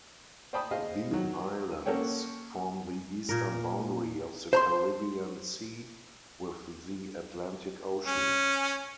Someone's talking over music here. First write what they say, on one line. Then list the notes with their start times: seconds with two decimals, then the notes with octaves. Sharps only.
The islands form the eastern boundary of the Caribbean Sea with the Atlantic Ocean.
0.53 C5 D5 G5 A5 B5 D#6
0.71 G#4 C5 D#5 F5
1.11 D#3 F#3
1.86 A#3 C#4 A4 C#5 F#5 G5
3.29 A#2 A#4
4.53 C5 A#5 C6
8.07 C#4